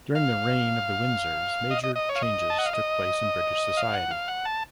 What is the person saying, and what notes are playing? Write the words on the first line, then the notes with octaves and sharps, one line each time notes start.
During the reign of the Windsors, major changes took place in British society.
F5
D#5
D#5
D#5
C#5
F5
D#5
A5
F#5
F5
D#5
F5
F#5
F5
F#5
A5